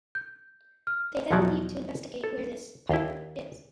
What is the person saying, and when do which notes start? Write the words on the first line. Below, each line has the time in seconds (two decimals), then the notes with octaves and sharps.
They then leave to investigate where this 'piper' is.
0.15 G6
0.87 F6
1.31 E2 B2 F3 F#3 D5 F#5
2.24 A4
2.89 D#2 E4